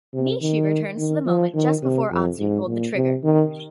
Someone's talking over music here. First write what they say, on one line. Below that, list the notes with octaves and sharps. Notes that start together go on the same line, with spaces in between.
Nishi returns to the moment just before Atsu pulled the trigger.
C3
D#3
D#3
F3
D#3
C3
F2
G#2
A#2
C3
D#3